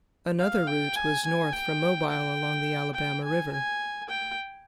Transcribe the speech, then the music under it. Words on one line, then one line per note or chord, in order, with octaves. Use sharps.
Another route was north from Mobile along the Alabama River.
F5
G5
G#5
G#5
G5
G5
G5
G#5
G#5
G5